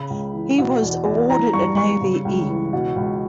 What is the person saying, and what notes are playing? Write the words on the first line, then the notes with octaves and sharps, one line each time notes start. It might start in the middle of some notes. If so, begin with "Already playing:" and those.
He was awarded a Navy "E".
Already playing: C#3 B5
C#2
E3
B2
E2
E2
E3 A#5
G2 C#6
G2 C#6
C#3
C#2
E3
B2
C#2